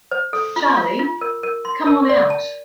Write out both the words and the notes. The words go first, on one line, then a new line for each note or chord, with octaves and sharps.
Charley, come on out!
C5
A4
F4
F4
F4
A#4
A#4
C6
A#4
D5
A5